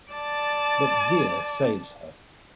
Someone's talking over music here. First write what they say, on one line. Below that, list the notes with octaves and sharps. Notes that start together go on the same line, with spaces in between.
But Veer saves her.
D5 A5